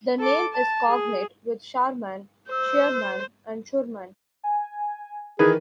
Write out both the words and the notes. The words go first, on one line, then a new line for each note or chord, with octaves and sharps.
The name is cognate with Sharman, Shearman and Shurman.
A4 D6
A5
G#4
C5 E6
G#5
D#3 E3 G#4 A#4 B4